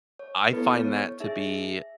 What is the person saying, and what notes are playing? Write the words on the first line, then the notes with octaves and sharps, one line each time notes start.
I find that to be
C#5
B3 E4 A4 B4
C#5
C#5
D#4 G#4 E5